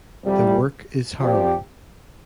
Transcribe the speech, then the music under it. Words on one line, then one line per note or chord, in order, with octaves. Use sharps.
The work is harrowing.
F2 C3 G3
F3 C4 G4 D5